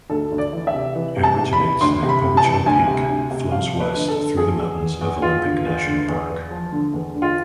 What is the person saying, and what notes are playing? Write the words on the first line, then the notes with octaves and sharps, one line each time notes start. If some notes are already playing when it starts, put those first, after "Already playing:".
It originates near Bogachiel Peak, flows west through the mountains of Olympic National Park.
D2 A4
D2
D5
E3
E5
C3
E3
C3
A5
C3
B5
E3
D2 C6
C3
B5
C3
A5
E3
D2 G#5
C3
D2
C3
F3 F5
F3
B4
D3
A4
D3
F3 G#4
E2
E2
E2
E2 F4
D3
E2
D3
E2
E2
F3
D3
E2
D3
F4